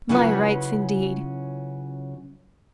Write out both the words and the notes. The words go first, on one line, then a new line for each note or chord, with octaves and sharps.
"My rights, indeed!"
C#3 F#3 C#4 E4 F4 B4